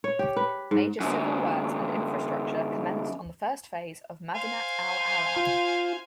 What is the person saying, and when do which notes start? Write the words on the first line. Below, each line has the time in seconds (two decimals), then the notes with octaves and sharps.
Major civil works and infrastructure commenced on the first phase of Madinat Al Arab.
0.04 C#5
0.19 G4
0.36 B4
0.71 G#2
1.00 F#2 D3
4.35 C5 F5 G#5
5.36 F4